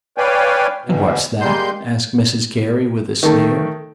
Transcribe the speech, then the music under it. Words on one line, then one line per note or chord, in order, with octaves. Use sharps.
"And what's that?" asked Mrs Carey with a sneer.
B4 C#5 D5 F5 G5 G#5
D2 B2
G3 G#3 A#3 C6 G6
D#3 A3